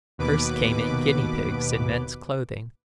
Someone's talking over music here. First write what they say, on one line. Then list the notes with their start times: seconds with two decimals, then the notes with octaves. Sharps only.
First came in guinea pigs in men's clothing.
0.18 D#2 B2 B4 D6